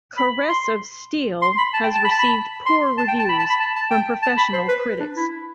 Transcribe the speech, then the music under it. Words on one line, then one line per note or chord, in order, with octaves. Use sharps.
"Caress of Steel" has received poor reviews from professional critics.
B5
C6
C6
B5
A5
G5
A5
B5
A5
B5
C6
A5
G5
A5
B5
A5
B5
A5
A5
G5
A5
B5
C5
B4
D4
E4